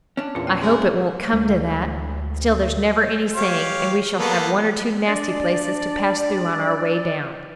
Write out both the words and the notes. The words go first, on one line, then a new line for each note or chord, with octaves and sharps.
I hope it won't come to that, still there's never any saying, and we shall have one or two nasty places to pass through on our way down.
C#4 D4
E2 A#2 F4 D6
A3 G5
G#3
D2 G#3
G4 C#5 F5
A#3 B3 A4
D4 D5